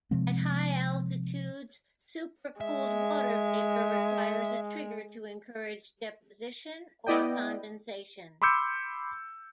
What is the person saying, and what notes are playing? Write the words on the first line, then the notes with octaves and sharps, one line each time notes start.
At high altitudes, supercooled water vapor requires a trigger to encourage deposition or condensation.
C3 F3 G#3 C4
G#3 E5
B3 E4 D5 D#5 G5
B5 C6 D6 E6 G6 C#7